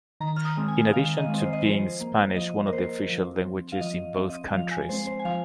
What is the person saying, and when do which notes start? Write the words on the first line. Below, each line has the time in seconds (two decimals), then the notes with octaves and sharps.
In addition to being Spanish one of the official languages in both countries.
0.20 D#3 A#5
0.36 F6
0.45 D#6
0.57 G#3 C4
0.68 G#5
0.92 D#3 F5
1.17 D#5
1.28 G#3 C4
1.41 C5
1.53 D#5
1.65 F3 C5
2.01 A#3
2.36 F3 D#5
2.67 A#4
2.73 A#3 C5
3.09 F3
3.45 C4
3.72 F5
3.81 F3 D#5
4.17 C4
4.30 D#5
4.53 F3 F5
4.71 G#5
4.89 G#3 C4 C5
5.07 C5
5.19 G#5
5.25 F3 F5